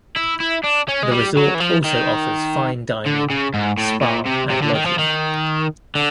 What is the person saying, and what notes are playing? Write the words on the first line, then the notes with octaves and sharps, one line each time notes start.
The resort also offers fine dining, spa, and lodging.
E4
E4
D4
C#4
G#3
G3
F#3
E3
F3
D#3
D3
C#3
G#2
A2
A#2
C3
C3
D3
D#3
F3
D#3
D3